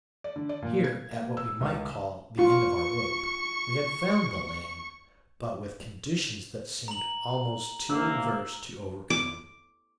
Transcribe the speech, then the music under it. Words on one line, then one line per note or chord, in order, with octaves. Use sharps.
Here, at what we might call the end of our rope, we had found the land, but with conditions that seemed almost too adverse to overcome.
D5
D3
D5
A#2
G#6
A#3
E6
C#2
F4 C#6
A#5 F#7
C2 A#3 E6
D6